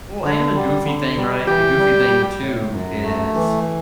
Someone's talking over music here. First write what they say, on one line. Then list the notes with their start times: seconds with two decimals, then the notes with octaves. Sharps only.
Well, and the goofy thing, right? The goofy thing too is,
0.23 D3
0.54 G3
0.85 D3
1.17 G3
1.47 E3 G4
1.78 G3
2.09 G3
2.41 A2
2.73 F#2
3.04 A3
3.35 E3